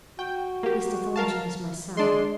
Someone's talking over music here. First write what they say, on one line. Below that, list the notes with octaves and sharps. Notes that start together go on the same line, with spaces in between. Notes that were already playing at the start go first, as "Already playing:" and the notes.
Mr. Thornton is my son.
F#4 G5
A#3 G4
A#4 F5 A5
G#3 D4 C6